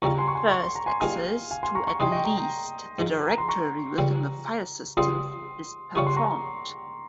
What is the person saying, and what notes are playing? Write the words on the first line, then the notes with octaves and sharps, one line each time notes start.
The first access to at least the directory within the filesystem is performed.
D#2 C#3 G3 C4 F4 A#5 C#6
G#5 C6
C#6
G#5 C6
C#6
C6
A#5
G#5 C6
A#2 G3 A#3 D#4 G#4 F5 G#5
F5 G#5
G#5 C6
A#5 C#6
A#5 C#6
C3 G3 C4 D#4 G4 C6 D#6
D#5 G5
G5 A#5
G5 A#5
G#2 F3 G#3
A#5
C6
A#5 C#6
C#2 C#3 G3 C4
C#2 C#3 G3 C4 F4 C6 D#6
C#3 G3 C#4 F4 G#4 C#6
C6
A#5 C#6